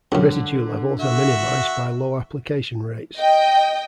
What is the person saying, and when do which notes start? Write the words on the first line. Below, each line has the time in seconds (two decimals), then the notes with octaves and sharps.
Residue levels are minimized by low application rates.
0.12 C#2 F#2 D3
1.00 F#4 E5
3.18 D#5 G5